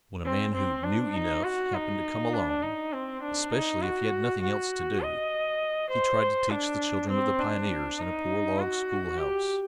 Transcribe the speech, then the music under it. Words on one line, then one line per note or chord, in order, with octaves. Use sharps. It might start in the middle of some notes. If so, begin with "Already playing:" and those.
When a man who "knew enough" happened to come along, especially if he had nothing else to do, he tried to teach the children of the pioneers in a poor log schoolhouse.
C4
C4
D4
D#4
F#4
D#4
D4
D#4
C4
D4
D#4
F#4
F#4
D#5
C5
D4
C4
D4
D#4
F#4
G4